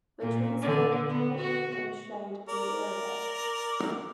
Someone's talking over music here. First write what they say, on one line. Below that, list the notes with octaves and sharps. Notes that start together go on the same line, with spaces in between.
The trees form canopy and shade the area.
A#2
D3
B3
F#4
A#4 D5